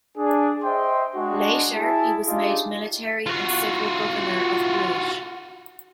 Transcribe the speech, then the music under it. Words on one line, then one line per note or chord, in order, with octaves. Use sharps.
Later, he was made military and civil governor of Bruges.
D4 G#4
C5 D#5 E5 G5 C6
G#3 D4 F#4
E4 G#4 A5
G#3 D4 D#4 F4 G4 G#4
F4 F#4